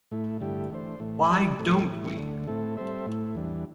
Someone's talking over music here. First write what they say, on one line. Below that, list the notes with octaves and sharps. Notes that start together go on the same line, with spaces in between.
Why Don't We?
A2 A3 E4
G2 D3 A3 E4 G4
E3 A3 D4 C5
A2 E3 A3
G3 E4 G4 D5
A2 A3 C4 E4 A4
A2 E3 G3 E4
D2 D3 A3
A2 A3 C4 E4 A4
G3 C4 A4 C5 E5
A2 A3 E4
E2 E3 G3 D4